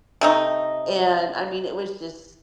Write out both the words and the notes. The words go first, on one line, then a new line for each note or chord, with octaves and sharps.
and I mean, it was just
C3 A3 D#4